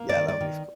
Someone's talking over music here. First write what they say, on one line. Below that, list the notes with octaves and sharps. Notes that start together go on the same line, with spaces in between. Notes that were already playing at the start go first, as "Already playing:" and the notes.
Yeah, that would be f cool.
Already playing: A#3
D5
D#3
D5
D#3